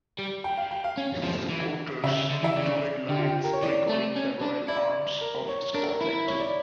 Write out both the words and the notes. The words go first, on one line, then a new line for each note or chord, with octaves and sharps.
Supporters: Two red lions, recalling the royal arms of Scotland.
G3
G5
F5
G5
F5
C#4
F3
E3
C#3 E5
C#3
D3
E3 E5
C#3 D5
D3 G4
F4
G4
A#4
C#5
E3 D5
A3
C#4
D4
E4 D5
A#4
C#5
D4 A#4
A4
A#4
E4
C#5
D5